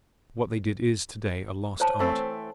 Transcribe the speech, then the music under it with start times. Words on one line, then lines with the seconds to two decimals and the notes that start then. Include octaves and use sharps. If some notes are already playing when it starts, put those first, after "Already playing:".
What they did is to-day a lost art.
1.80 C5 C#5 A5
1.99 E3 A3 C4